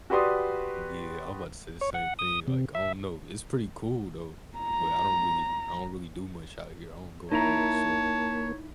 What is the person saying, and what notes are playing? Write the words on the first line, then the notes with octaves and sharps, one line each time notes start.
Yeah, I'm 'bout to say the same thing, like, I don't know, it's pretty cool, though, but I don't really I don't really do much out here, I don't go out much, so
F#4 G4 B4 D5 C6 D#6
C#5
F#5
D#6
C3
E5
A#5
A#3 D#4 E4 C#5 A5 A#5